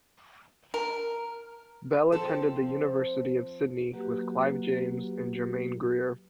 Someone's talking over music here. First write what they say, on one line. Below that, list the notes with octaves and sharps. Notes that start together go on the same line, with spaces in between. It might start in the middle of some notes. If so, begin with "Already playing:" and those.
Bell attended the University of Sydney with Clive James and Germaine Greer.
A#4
F3 C4 A4
F#3 A#3 F#4 G4 B4